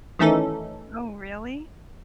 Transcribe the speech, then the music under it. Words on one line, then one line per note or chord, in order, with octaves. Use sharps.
Oh, really?
D#3 E3 A3 C#4 D#4 A4